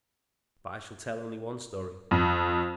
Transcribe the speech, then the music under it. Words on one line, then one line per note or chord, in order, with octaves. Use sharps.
But I shall tell only one story.
F2